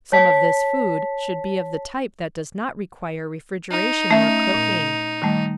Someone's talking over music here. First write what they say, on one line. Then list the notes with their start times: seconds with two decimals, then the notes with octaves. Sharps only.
Some of this food should be of the type that does not require refrigeration or cooking.
0.12 C#5 A5 B6
3.71 D#4
4.11 A3 C#4 E5
4.54 A#2
5.22 D#3 G3 A3